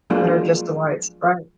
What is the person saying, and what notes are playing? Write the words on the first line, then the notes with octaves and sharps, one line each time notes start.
That are just the whites. Right.
F3 F#3 G#3 A#3 D4 F4